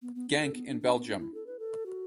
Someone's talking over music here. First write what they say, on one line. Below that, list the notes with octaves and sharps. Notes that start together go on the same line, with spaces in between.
Genk in Belgium.
B3
B3
D4
A4
B3
D4
D4
B3
D4
E4
A4
B4
A4
F#4